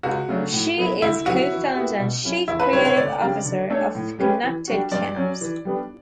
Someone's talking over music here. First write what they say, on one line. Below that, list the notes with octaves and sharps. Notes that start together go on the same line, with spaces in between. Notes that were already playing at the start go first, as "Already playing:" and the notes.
She is co-founder and Chief Creative Officer of Connected Camps.
C#2 F#4
C#3 F#3 A3 D4
A2
F#3 B3 E4 B4
D2 E4
D3 F#3 B3 E4 F#4
E3
B3 E4 G4
B2
F#3 C#4 E4
E2 E4
B4
C#3 G3 D4 C#5
C#5
D2 D5
C#3 G3 D4
D3
A3 D4 A4 C#5
A2
G3 C#4 G4 B4
E3
G3 D4 F#4
G2 D5
F#3 C#4
E3
G3 B3 D4